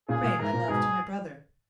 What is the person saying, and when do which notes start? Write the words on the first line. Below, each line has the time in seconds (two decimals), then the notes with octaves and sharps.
Pray my love to my brother.
0.08 A#2 C#3 G#4
0.23 A#2
0.39 G#2 A#4
0.53 A#2
0.68 G#2 B2 G#4